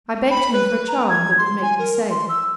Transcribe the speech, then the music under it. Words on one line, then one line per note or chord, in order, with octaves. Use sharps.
I begged him for a charm that would make me safe.
B5
B4
A#5
G#6
C6
G#5
A#4
C6
E6